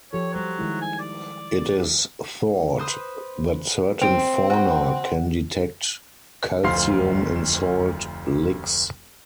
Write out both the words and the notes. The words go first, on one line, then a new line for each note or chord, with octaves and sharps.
It is thought that certain fauna can detect calcium in salt licks.
F3 G4 A4 C#5
F#3 G3 C5
D#3 G#3 E4
G#5
D5
B4 C5 D#6
C4
F#4 G5
F1 D2 F3 F5 C6 C7